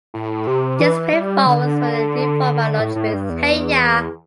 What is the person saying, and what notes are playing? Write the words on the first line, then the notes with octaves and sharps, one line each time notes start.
This proved false when the new format launched with Hey Ya!
A2
C3
E3
G3
D3
A2
A2
G2
E2